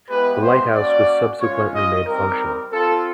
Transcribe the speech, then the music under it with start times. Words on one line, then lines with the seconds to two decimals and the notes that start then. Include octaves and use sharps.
The lighthouse was subsequently made functional.
0.09 G#3 B3 E4 G4 B4
0.42 C5
0.75 A#3 C#4 F#4 D5
1.40 G#3 C#4 F4 C#5
1.73 D#5
2.06 G3 C4 D#4 A#4
2.73 C4 F4 A4